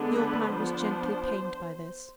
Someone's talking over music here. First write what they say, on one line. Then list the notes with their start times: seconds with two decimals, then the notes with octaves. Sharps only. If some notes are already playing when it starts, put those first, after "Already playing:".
The old man was gently pained by this.
Already playing: D3 G#3 B3 D4
0.14 B4
0.51 F3 B3 D4 C5